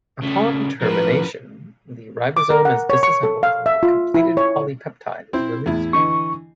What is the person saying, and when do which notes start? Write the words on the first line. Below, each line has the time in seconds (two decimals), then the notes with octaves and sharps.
Upon Termination, the ribosome is disassembled and the completed polypeptide is released.
0.22 C#3 A3
0.81 A2 F3 A#4 B4
2.37 D6
2.50 A#4
2.65 F#5
2.90 C#5
3.03 C#6
3.23 A4
3.43 F5
3.66 E5
3.83 F4
4.14 E4
4.37 C#5
5.33 C4 E4 C5
5.66 E2 A2 E4
5.93 D3 E3 D#5 C#6